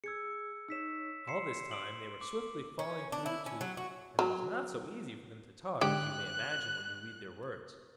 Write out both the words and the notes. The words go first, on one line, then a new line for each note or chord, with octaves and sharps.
All this time they were swiftly falling through the Tube, and it was not so easy for them to talk as you may imagine when you read their words.
G#4 E6 G#6 C#7
D#4 C#5 E6 B6 E7
C6 C7 C#7 E7
D7 F#7
D6
C#4
D4
E4
C#4
F#3
F#4
F#3
G#2 D3 G4 F#6